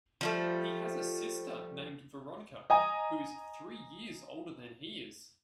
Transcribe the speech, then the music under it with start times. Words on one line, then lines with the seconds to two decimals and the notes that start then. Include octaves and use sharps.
He has a sister named Veronica who is three years older than he is.
0.21 F3 G3 A3
2.70 D#5 G#5 A#5